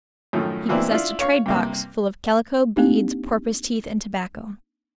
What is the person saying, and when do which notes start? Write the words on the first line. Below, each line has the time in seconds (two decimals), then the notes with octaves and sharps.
He possessed a trade-box full of calico, beads, porpoise-teeth, and tobacco.
0.33 F#2 A2 D#3 F3 A3
0.69 B2 E3 A#3 C4 D4 E4
0.89 D4 E4 F4
1.20 C#5 F5 C#6
1.46 G2 C3 A#3
2.76 A#3 C4 D4 D#4 G4